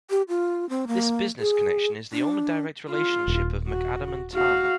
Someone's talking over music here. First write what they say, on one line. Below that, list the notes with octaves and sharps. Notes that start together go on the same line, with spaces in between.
This business connection is the only direct relationship of McAdam and tar.
G4
F4
C4
A#3
G#4
D4
F4
D#1
F#4
F#4 F5